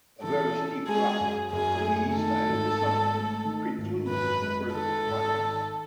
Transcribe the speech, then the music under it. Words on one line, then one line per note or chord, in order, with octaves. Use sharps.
A very steep drop on the east side of the summit precludes further progress.
E3 A4
C#4
G#3 G#4
F#2
F#2 G#4
A3
D#3 A4
G#1
G#2
A3
D#3
G#1
F#2 B4
G#3
D#3 A4
G#1
D#3